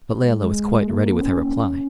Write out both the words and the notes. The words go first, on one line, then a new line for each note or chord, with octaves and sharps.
But Layelah was quite ready with her reply.
G#3
A#3
C#4